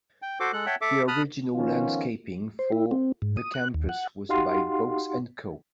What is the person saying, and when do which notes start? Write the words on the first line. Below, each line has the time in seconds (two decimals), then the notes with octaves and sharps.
The original landscaping for the campus was by Vaux and Co..
0.22 G5
0.40 F#4 A4 C5 D6
0.53 G#3 A4 F#6
0.66 C#5 E5 F#5 G5 A5
0.81 A4 E5 D6
1.08 A5 B5 D#6 F6 F#6
1.55 D#3 F3 B3 C#4 F4
2.59 C5
2.72 E4
2.91 C4
3.22 G#2
3.37 D#6
3.54 F#6
3.74 D#2
3.89 F#5
4.29 D#4 F#4 G4 F5 F#5 C6